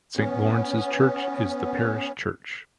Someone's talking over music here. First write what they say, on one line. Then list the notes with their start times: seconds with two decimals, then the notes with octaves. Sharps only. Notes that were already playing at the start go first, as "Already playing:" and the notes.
Saint Lawrence's Church is the parish church.
0.17 B3 C#4